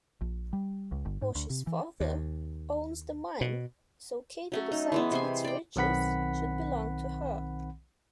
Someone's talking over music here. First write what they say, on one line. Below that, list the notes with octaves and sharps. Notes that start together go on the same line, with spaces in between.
Wash's father owns the mine, so Kady decides its riches should belong to her.
A#1
G3
C#2
G1
G#2
D2
C3
E3
D#2
B2
F#3 A3 C#4
D#4
E3 G#3 B3
C3 C5 G#5
D5 G5
B1 D#3 C4 F#5 B5 B6